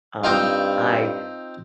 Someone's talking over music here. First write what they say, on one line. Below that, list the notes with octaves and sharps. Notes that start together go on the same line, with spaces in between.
Um, I
G2 C4 D#4 F4